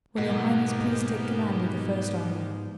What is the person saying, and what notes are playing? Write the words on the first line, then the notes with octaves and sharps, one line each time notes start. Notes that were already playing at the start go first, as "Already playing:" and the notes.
"Will Your Highness please take command of the first army?"
G#2 B2 A#3 B3 G4